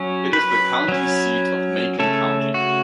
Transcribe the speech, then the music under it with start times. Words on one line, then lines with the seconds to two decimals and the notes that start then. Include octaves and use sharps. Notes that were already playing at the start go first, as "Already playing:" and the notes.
It is the county seat of Macon County.
Already playing: F#3 C#4
0.33 B4
0.88 F#3 C#4
1.99 C#3 A3 C#4 A4
2.54 F#4